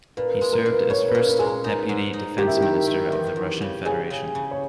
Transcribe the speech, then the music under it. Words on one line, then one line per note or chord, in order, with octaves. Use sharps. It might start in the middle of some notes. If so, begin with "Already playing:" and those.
He served as First Deputy Defence Minister of the Russian Federation.
A#2 B4
B4
G#3
A#4
A#2
B4
C#4 C#5
B4
A#2
B4
G#3 G#4
A#4
D#4
G#2
D#4
D#3 G4
E4
G4
D#3
D#3
E2
E2
C#3
C#3 G#4
C#3
C#3
C#5